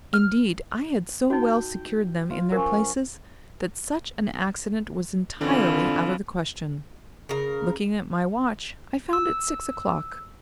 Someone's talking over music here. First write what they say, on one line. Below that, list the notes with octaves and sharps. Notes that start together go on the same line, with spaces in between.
Indeed, I had so well secured them in their places, that such an accident was entirely out of the question. Looking at my watch, I found it six o'clock.
F6
D#4 F#4 G5
F4
F3 C#4 A#4
B2 D3 E3 C4 F4
C#3 A#4
E6